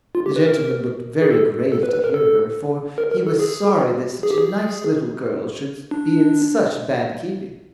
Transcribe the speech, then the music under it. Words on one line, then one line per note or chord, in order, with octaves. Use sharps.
The gentleman looked very grave to hear her, for he was sorry that such a nice little girl should be in such bad keeping.
F4
G4
B4
A#4
G#4
A4
A4
B4
B4
A#4
A4
A#4
A#4
A4
G#4
G#4
G4
G#4
D4